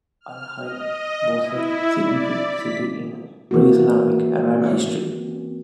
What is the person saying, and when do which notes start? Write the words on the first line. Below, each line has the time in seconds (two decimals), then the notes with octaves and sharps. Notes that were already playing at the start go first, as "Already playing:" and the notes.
Al-Hirah was a significant city in pre-Islamic Arab history.
0.21 F6
0.62 D#5
1.40 E4
2.00 D5
2.45 B6
3.51 E3 A#3 F#4